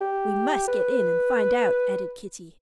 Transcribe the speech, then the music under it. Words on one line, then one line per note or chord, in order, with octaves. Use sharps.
"We must get in and find out," added Kitty.
G4
B4